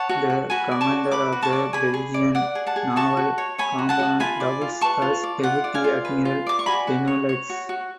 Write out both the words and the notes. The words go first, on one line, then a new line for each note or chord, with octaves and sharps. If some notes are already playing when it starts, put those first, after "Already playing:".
The commander of the Belgian Naval Component doubles as Deputy Admiral Benelux.
Already playing: C#5 F#5 A5
F#4
F#4
F#4 G#5 B5
D5
A5 C#6
F#4
B4 B5 D6
F#4
A5 C#6
D5
G#4 G#5 B5
G#4
D5
D5 F#5
G#4
F#5 A5
G#4
F#4 A5 C#6
F#4
C#5
C#5 G#5 B5
F#4
F#5 A5
F#4
F4 G#5 B5
D5
F4
B4 A5 C#6
F4
D5
F4 F#5
D5
F5 G#5
F4
B4
F4
D5 D6
C#6
F#4 G#5 B5
F#4
C#5
C#5
F#4
F#4